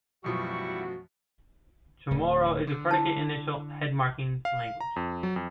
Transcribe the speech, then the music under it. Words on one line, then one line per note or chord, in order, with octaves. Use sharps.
Chamorro is a predicate-initial, head-marking language.
A1 F#2 B2 F3 G3 E4 F#4 C#6
D1
D3
E4 A5
F5
A#5
F2
F#3
F2